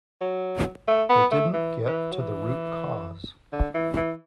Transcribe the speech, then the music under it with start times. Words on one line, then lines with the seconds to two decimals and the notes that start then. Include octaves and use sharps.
They didn't get to the root cause.
0.21 F#3
0.88 A3
1.10 B3
1.31 A3
1.53 E3
1.87 E3
2.12 F#3
2.20 E3
3.53 D3
3.74 E3
3.96 E3